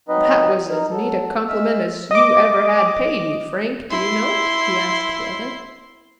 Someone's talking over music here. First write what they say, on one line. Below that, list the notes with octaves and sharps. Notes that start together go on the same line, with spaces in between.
"That was as neat a compliment as you ever had paid you, Frank, do you know it?" he asked the other.
F#3 C4 D#4 B4 D#5
D#4 A#4
F#3 A4
G#3 E5 E6 F6
D#5 D6
E4 C6